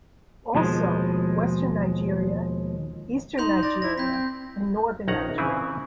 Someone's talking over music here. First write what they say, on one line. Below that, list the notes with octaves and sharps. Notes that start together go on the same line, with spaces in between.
Also western Nigeria, eastern Nigeria and northern Nigeria.
D#2 B2 F3 G#3
D#4 C6 G6 F7
D5 A#6
E4 A#6
C4 G6 B6
G6
A#1 D#3 C#4 D#4 F#5 A#5
C#3 E3 C4 E4 G#5